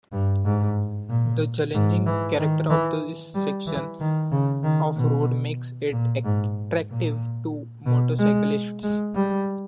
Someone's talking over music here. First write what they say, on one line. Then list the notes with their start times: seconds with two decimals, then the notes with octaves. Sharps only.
The challenging character of this section of road makes it attractive to motorcyclists.
0.12 G2
0.45 G#2
1.10 A#2
1.74 G#2
2.06 E3
2.39 D#3
2.70 E3
3.35 G3
3.67 E3
4.00 D#3
4.32 C#3
4.63 D#3
4.95 B2
5.92 A#2
6.24 G#2
6.90 A#2
7.85 B2
8.19 G#3
8.83 G#3
9.14 G3